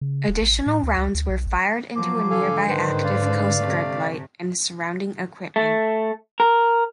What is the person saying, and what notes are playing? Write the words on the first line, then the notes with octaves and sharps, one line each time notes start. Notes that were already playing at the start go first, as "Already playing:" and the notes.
Additional rounds were fired into a nearby active Coast Guard light and surrounding equipment.
C#3
D#1
A1
A2
D2
C#2
D2
B1
A1
F3 F#3 D6
G#2 D3 A4 F5 G#5
D#3 B4 C5
D5 F5
C3 A3
A3
A#4